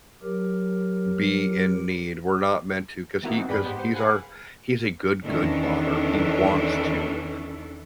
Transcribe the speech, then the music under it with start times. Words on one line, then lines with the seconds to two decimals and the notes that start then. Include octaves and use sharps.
be in need, we're not meant to 'cause he 'cause he's our he's a good, good Father. He wants to
0.23 F#3 G4 A#4
3.22 D#3 G3 A#3 B3 E4 F#4
3.35 D#3 E3 C4
3.48 G2 G#4 B4 D5 G5 B5
3.63 G#2 B3 G4 C5
3.78 C5
3.93 G#4 A#4 B4 F5 F#5 G#5
5.24 E2 D#3 E3 C#4 D4 A4